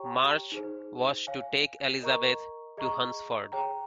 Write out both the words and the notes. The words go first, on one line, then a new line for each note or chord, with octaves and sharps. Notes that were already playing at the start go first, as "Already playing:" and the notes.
March was to take Elizabeth to Hunsford.
Already playing: G4 C#5 G5 A#5 C#6
D#4 G#4 C5
C#5 F5 G#5
A#4 D#5 A#5 C#6
G#4 D#5 A#5 C#6
G#4 C#5 G5 A#5